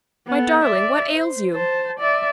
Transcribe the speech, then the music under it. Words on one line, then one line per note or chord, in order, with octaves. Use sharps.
"My darling, what ails you?"
B3 A4
D5 E5
C5
C5 A5
D5 E5